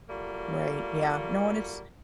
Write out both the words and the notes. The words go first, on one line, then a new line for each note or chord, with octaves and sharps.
Right, yeah. No, and it's
F#3 G3 A3 A#3 F4